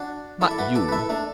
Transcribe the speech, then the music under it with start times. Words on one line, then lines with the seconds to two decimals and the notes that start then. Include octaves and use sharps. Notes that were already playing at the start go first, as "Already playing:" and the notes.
Not you!
Already playing: D4 F#4
0.41 E4 A4
0.51 D5
0.58 F#4 B4
0.75 A4 D5
0.89 B4
0.92 E4 A4
1.10 A3 D4